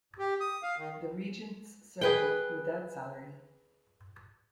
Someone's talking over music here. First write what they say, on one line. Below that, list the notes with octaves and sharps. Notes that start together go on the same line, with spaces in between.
The Regents serve without salary.
G4
D#6
F5
D#3
G#4 B4 G5